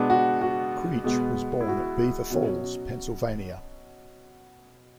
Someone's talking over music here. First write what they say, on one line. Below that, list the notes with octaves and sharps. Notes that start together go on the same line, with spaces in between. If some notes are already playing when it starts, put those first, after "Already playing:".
Creach was born at Beaver Falls, Pennsylvania.
Already playing: B2 G#3 B3 D4
F#4
F#4
B2 G#3 B3
E4
F#4
B2 F#3 C#4